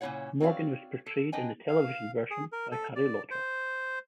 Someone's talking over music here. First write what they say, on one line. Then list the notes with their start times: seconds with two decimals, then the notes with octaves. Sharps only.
Morgan was portrayed in the television version by Harry Lauter.
0.01 A#2 C#3 D4 E4 C#5 F#5
0.40 C4 F#4 C#5 D5 F5
1.06 A4
1.32 D4 B4 D#5 G5 G#5
1.68 F5
2.31 G#4
2.52 A#4
2.71 A4
2.96 D5
3.31 C5